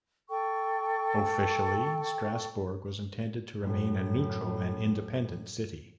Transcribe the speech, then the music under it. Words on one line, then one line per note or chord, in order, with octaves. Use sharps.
Officially, Strasbourg was intended to remain a neutral and independent city.
A4 G5 C#6
F#2 A2